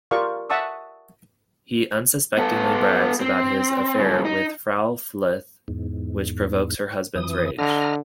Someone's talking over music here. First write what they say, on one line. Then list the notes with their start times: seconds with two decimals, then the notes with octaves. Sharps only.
He unsuspectingly brags about his affair with Frau Fluth, which provokes her husband's rage.
0.11 F4 G4 A#4 D5 F5 C#6
0.50 E5 F#5 A5 C#6 D#6 E6
2.38 B3 A4
3.21 C4
3.99 G2 C#3
4.25 D#4
5.68 E2 G#2
7.15 F2 E3 D#6
7.58 D3 D#5 A#5 F6